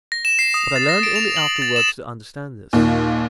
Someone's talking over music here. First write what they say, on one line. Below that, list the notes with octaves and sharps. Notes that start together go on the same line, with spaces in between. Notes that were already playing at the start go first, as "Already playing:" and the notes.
But I learned only afterwards to understand this.
A#6
E7
C7
D#6
A6
A#6
D7
F7
F#7
A6
E7
D#2 A#2